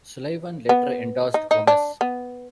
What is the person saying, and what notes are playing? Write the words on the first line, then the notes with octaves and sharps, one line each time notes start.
Sullivan later endorsed Gomez.
B3
D#4
D#4
D4
B3